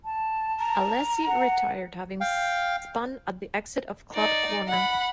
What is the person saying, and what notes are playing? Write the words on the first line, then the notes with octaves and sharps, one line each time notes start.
Alesi retired having spun at the exit of Club Corner.
A5
A#5
F#5
F5 G5
D#4 D5
F#5 B5